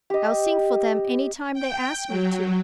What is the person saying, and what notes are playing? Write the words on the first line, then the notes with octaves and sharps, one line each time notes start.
I'll sing for them any time they ask me to.
G4 D#5
G5
F#3